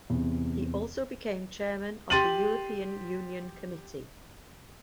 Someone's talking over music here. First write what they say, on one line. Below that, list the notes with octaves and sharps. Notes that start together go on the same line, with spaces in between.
He also became Chairman of the European Union Committee.
E2 C3
G4 C6 A6 D#7 F#7